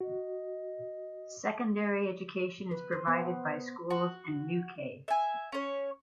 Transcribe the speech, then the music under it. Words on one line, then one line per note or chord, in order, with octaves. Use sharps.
Secondary education is provided by schools in Newquay.
F#4 D#5
B4
C5
B3
F#4
E5 G#5
C#4 C#5